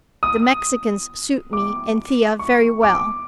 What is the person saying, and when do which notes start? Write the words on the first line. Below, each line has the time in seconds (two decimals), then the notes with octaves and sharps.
The Mexicans suit me and Thea very well.
0.23 D#6
1.53 D6
2.39 C#6
2.83 D6